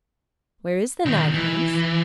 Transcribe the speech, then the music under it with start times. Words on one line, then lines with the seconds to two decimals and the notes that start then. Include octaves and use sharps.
'Where is the knife, Hans?'
1.05 B1 D#3
1.34 E3